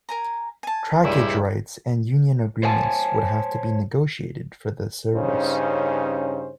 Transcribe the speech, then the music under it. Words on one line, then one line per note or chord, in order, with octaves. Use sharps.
Trackage rights and union agreements would have to be negotiated for this service.
A#4 G#5 A#5
G#5 A5
C#2 G2 A#2 G3 G#3 E4
C5 C#5 F5 G#5 A5
G2 C#3 C#4 D#4 C5